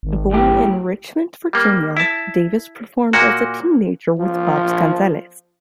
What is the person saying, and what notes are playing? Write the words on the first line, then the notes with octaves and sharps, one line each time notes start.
Born in Richmond, Virginia, Davis performed as a teenager with Babs Gonzales.
G#1
B1 A2 G4
G3 A#3
E4 A5
A#2 A#3 F#4
F3